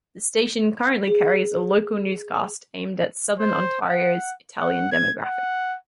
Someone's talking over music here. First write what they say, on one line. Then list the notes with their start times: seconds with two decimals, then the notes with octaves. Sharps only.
The station currently carries a local newscast aimed at Southern Ontario's Italian demographic.
1.08 G#4
3.39 C5
3.81 F#5
4.59 F#5
4.92 G#6
5.24 F#5